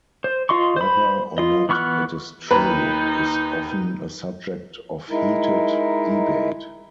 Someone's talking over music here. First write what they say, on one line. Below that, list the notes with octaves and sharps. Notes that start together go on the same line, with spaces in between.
Whether or not it is true is often a subject of heated debate.
C5
F4 D#5 C6 C#6
C5 B5
F4 D#5
E3 B3 C#6 F6 F#6
D#2 D#4 B4 A#5 B5
G#3 D#4 E4 A#4